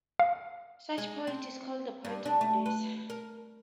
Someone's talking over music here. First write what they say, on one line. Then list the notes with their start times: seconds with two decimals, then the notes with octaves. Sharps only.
Such point is called "the point of bliss".
0.19 F5
0.98 G#3
1.27 C4
2.05 G2
2.25 D4
2.41 A3
2.66 B4
3.10 A#4